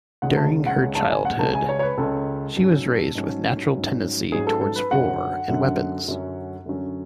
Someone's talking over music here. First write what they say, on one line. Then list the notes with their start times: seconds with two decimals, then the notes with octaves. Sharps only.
During her childhood, she was raised with a natural tendency towards war and weapons.
0.22 C#2 C#3 G#3 C#4 F#5
0.37 A5
0.66 F#5
0.82 C#2 C#3 G#3 C#4
0.95 A5
1.10 G#5
1.25 F#5
1.39 C#2 C#3 G#3 C#4 A5
1.54 G#5
1.69 C#5
1.79 C#5
1.83 B4
1.97 C#2 C#3 G#3 C#4 A4
2.56 G#2 F#3 C#4
3.15 G#2 F#3 C#4
3.74 G#2 F#3 C#4
4.32 G#2 F#3 C#4 G#4
4.47 A4
4.61 A4
4.76 B4
4.91 F#2 D3 F#3 C#4 F#5
5.49 F#2 D3 F#3 C#4
6.08 F#2 D3 F#3 C#4
6.66 F#2 D3 F#3 C#4